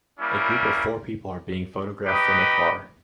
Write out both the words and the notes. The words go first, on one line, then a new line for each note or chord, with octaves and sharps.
A group of four people are being photographed from a car.
G3 A#3 C#4 E4
D#4 G4 B4 D#5